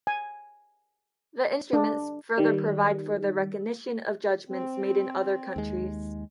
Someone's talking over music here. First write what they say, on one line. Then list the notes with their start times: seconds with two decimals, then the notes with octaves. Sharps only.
The instruments further provide for the recognition of judgments made in other countries.
0.07 G#5
1.73 D4
2.38 D#3 G3
4.49 C4
5.56 D#2 G#3